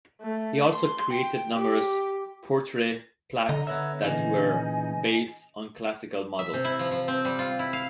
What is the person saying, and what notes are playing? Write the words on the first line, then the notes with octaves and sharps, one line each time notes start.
He also created numerous portrait plaques that were based on Classical models.
A3
C6
G5
G4
D3 D#5 A#5
B3 B4 C#5 E5 A#5 F#6
A#2 C#3 E3 D#4 D#5 G#5
E5
C3
E4
F3
F3
C4
G3
F4
E4
F5